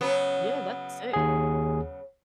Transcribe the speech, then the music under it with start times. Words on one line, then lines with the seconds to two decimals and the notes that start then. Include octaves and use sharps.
Yeah, that's sick.
0.01 C#3 F#3 B3
1.13 D#2 G#4